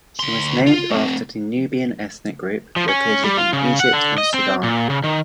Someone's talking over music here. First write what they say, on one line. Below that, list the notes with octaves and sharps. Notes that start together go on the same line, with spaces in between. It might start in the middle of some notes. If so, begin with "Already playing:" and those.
She was named after the Nubian ethnic group, located in Egypt and Sudan.
D2 C6
F4
A3 C4
F3
C#4
G3
F4
C#3
F#5
D3
D#5
C4
A#2
C#3
D#3